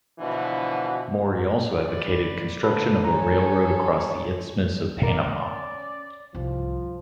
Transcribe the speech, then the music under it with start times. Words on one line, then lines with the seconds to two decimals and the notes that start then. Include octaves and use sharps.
Maury also advocated construction of a railroad across the Isthmus of Panama.
0.19 B2 D3 E3 F3
1.86 B4 D5
2.63 D3 A#3 A4 B4
3.05 A4 C#5 G#5 A#5
5.03 C#4 A#4 D5
6.35 C2 G#2 F3